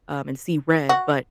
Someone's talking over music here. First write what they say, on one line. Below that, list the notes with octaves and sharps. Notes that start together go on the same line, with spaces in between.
um, and see red, but
F#4